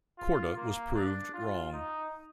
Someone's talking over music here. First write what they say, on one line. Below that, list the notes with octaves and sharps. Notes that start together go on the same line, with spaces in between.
Korda was proved wrong.
F4
A#3
D4
F4
D#4